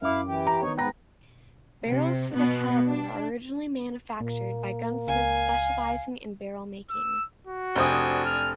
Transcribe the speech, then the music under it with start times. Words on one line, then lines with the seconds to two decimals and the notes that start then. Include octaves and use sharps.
Barrels for the caliber are originally manufactured by gunsmiths specializing in barrel making.
0.02 F#2 E4 F5 D6
0.27 E3 G4
0.47 A#5
0.62 D#3 B3 D#4 C#5
0.78 G#2 B3 B4 G5 A#5 A#6
1.86 C3
2.35 B2 B3
2.87 D4
4.20 A#2 A#3
5.08 C#2 F5 G#5
6.90 E6
7.47 F#4
7.75 F1 D4 C5 G#5 D#6
8.25 F6